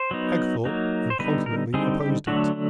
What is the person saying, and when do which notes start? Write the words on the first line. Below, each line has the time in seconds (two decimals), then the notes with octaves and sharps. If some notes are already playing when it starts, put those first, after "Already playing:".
Hagthorpe incontinently opposed it.
Already playing: C5
0.11 F#3 B3 D#4
0.65 F#3 A#3 D#4
1.10 C5
1.19 D3 G3 B3 D#4 B4
1.46 A#4
1.74 D3 G3 C4 D#4 G#4
2.00 G4
2.27 D3 F#3 A3 D4 F#4